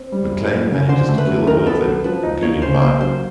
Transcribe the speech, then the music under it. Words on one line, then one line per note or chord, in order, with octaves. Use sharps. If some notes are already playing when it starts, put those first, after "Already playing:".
McClane manages to kill all of them, including Mai.
Already playing: C4
G3
F#2
F#3
C#3
D3 C5
A3
B4
F#3
D#3 A#4
B3 A4
F#3
F3 B4
D#4
A#3 C#5
C#3 C5
A#3 C5
F#3 C5